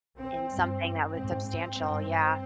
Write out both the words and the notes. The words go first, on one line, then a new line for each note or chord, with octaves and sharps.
In something that was substantial, yeah
C4
G2 C4
G#2 C4
C4
G2 C4